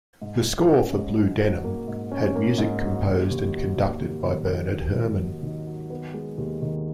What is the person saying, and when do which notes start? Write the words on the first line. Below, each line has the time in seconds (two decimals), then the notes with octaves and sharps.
The score for "Blue Denim" had music composed and conducted by Bernard Herrmann.
0.22 G#2
0.45 G#2
0.69 C#4
0.93 G#2
1.16 F#3
1.40 F#3
1.64 A#3
1.88 G#2
2.12 C#4
2.35 A#3
2.58 G#2
2.82 F#3
3.06 D#2
3.30 D#2
3.53 F#3
3.77 D#2
4.00 D#2
4.25 D#3
4.48 D#2
4.72 F#3
4.96 D#2
5.20 F#3
5.43 D#3
5.67 F#3
5.90 B3
6.14 G#3
6.38 D#2
6.62 D#3